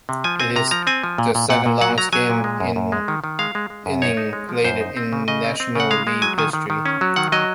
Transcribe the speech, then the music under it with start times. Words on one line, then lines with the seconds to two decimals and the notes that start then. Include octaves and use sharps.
It is the second longest game in innings played in National League history.
0.09 C3
0.24 F3 G#5
0.40 C4 G#5
0.56 C3 A#5
0.71 F3 A#5
0.87 C4 G#5
1.04 F3
1.18 A#2
1.35 A#2
1.50 A#2 F#5
1.66 A#2
1.81 F#3 F#5
1.98 F#3 A#5
2.13 F#3 G#5
2.30 A#2
2.44 G#3
2.60 F#2
2.76 F#2
2.92 G#3
3.08 D#3
3.24 D#3
3.39 G#3 F5
3.55 G#3
3.70 G#3
3.86 F#2
4.02 D#4 C#5
4.17 D#4
4.33 G#3
4.49 F3
4.64 F#2 C5
4.81 D#4
4.97 C4
5.13 C#3
5.28 C#3 D#5
5.44 C4
5.60 C4
5.75 C#3 F#5
5.91 G#3 F5
6.07 G#3
6.22 F#3 G#5
6.38 D#3 G#5
6.53 D#3
6.70 D#3
6.86 C#4
7.01 F#3
7.16 D#3 F#5
7.32 F#3 D#5